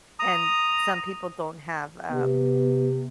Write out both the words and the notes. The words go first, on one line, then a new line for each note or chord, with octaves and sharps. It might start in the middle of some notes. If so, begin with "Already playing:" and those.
and some people don't have, um
A#5 D#6
C3 B3